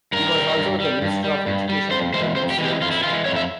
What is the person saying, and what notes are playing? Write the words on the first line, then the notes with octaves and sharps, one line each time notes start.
He was also the Minister of Education and Provincial Secretary.
G2 A#4
G3
G2
G3
G2
G3
G2
G3
F2 C5
E3 G#3 C5
F2 C5
G4
E3 G#3
G4
F2 F4
E4
E3 G#3 F4
F2 C#5
E5